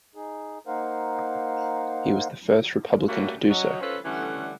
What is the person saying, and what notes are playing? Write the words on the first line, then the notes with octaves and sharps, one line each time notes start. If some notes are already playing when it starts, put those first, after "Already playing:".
He was the first Republican to do so.
D#4 G#4
A#3 D#4 A#4 C5 F5 F#5
G3 A3 A#3 C#4 F#4
F#3 C#4 D#5
C#4 F4 A4 B4 C5
D3 E3 G3 A3 C#4 F#5